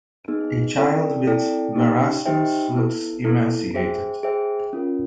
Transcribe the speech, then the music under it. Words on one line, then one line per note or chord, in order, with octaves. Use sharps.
A child with marasmus looks emaciated.
B3 D#4 G#4
C4 E4 A4 D5 G5
C4 E4 A4 D5 G5
D#4 G4 C5 E5 G5
D#4 G4 C5 E5 G5
B3 E4 A4
B3 E4 A4
G#4 C5 E5 G5
G#4 C5 E5 G5
C#4 F4 A#4